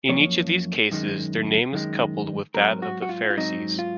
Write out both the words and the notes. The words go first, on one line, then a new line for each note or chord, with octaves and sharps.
In each of these cases their name is coupled with that of the Pharisees.
F#2 F3 A#3 C#5
F#2 D#3 G#3
F#2 D#3 G#3
G#2 F#3 C4 A#4
F#4
F#4
F4
F4
G#2 F#3 C4 D#4
F4